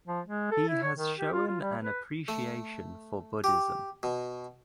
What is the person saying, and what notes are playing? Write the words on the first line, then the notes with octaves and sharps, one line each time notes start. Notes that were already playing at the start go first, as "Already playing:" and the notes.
He has shown an appreciation for Buddhism.
F3
G#3
A4
E4
C#5
D#3
G4
F4
F4
G3
B4
A3
G4
B2